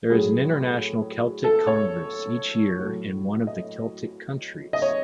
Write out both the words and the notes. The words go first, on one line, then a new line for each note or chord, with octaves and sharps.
There is an International Celtic Congress each year in one of the Celtic countries.
A2 F#3 G#4
A4
C#5
A2 F#3
D#5
D#5
C#5